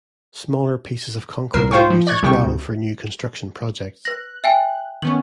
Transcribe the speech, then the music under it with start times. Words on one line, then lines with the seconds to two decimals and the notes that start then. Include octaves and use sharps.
Smaller pieces of concrete are used as gravel for new construction projects.
1.53 C2 A#4 E6 C7
1.71 F4 C5 F5 G5 C#6
1.90 F3
2.07 D5 C#6 F#6 G#6
2.23 C2 C3 G5 C#6
2.44 D2
4.05 B4 F#6 A#6
4.44 E5 G5 G#5
5.02 D#3 B3 C#4 F#7